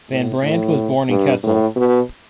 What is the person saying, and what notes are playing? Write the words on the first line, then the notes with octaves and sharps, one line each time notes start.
Van Brandt was born in Kessel.
A2
A2
G2
A2
B2